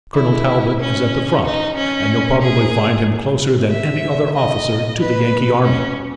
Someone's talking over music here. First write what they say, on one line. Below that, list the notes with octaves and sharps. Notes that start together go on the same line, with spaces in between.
Colonel Talbot is at the front, and you'll probably find him closer than any other officer to the Yankee army.
E4
C#4
D#4
C#4
G#4
E5
D#5
B4
C#4